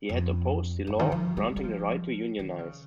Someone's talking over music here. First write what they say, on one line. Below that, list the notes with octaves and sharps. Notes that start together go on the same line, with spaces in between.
He had opposed the law granting the right to unionize.
F2
G2
D#3
F3
G3
G3
F3
D#3
C#3